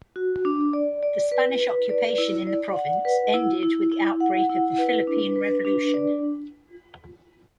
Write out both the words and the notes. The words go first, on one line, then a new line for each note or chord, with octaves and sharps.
The Spanish occupation in the province ended with the outbreak of the Philippine Revolution.
F#4
D4
D5
D5
B4
B4
D5
E4
D5
F#5
B4
E4
E4
E4
F#5
E4
B4
D4
B4
D4
D5